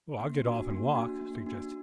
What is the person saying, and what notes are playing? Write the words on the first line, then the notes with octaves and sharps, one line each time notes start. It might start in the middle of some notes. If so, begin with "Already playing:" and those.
"I'll get off and walk," suggested.
A#3
D4 F#4
A#3
D4 F#4
A#3
D4 F#4